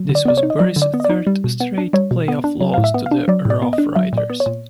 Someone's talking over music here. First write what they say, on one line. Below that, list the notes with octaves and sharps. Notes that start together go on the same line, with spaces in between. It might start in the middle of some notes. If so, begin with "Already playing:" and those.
This was Burris' third straight play-off loss to the Roughriders.
Already playing: F#3
D3
D5
B3 D5
C#5
D#4
D#5
F#3 D5
D3
D5
B3
D#5
D5
D#4
G3
B2
B3
D4
G3 C#5
B2
B3
D4
F#3
A2 F5
E5
B3
F5
D4
F#3 D5
A2 D5
B3
D#5
D4
F#3 E5
A#2 D5
B3
C#5
A#2